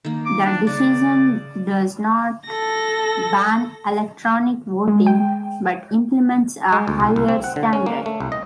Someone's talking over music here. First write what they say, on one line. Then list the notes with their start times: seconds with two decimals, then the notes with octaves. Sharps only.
The decision does not ban electronic voting but implements a higher standard.
0.05 D#3 A#3
0.26 D6
0.46 D4
0.67 C#3 A#3 C#4 D5
2.48 A4 A#6
4.88 G#3
5.06 G5
6.73 G#3
6.88 D2
7.00 C2
7.16 C2
7.28 C4
7.44 F#5
7.56 D3
7.73 C#4
7.86 A#3
8.06 A3
8.20 C2
8.32 D#5